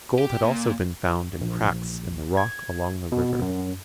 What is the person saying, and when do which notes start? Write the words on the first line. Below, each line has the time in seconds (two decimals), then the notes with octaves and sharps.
Gold had also been found in cracks in the rock along the river.
0.19 G4
0.44 A#2
1.41 A#1
2.37 G#6
3.12 B2
3.41 F#2